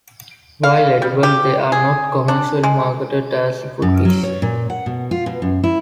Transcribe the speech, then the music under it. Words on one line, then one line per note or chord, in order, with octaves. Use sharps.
While edible, they are not commercially marketed as a food fish.
F5
G3
G4
G#4
D4
G#3
F#2
F#3
C#5
A#2
F#5
B2
F4
B2
F#2
E4